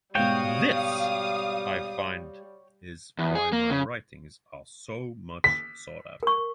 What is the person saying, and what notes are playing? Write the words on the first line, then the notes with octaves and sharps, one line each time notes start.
"This" I find is why my writings are so much sought after.
G#2 B2 G3 F#4 C#5 F5 G5 D#6
E2
G#4
A#3
C#3
B6
A#4 C#6